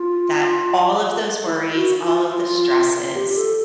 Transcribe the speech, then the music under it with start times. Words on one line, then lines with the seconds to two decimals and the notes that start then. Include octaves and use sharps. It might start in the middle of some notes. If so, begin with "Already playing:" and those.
That all of those worries, all of the stresses.
Already playing: F4
1.46 E4
1.74 F#4
2.02 F4
2.31 F4
3.15 G4
3.36 A4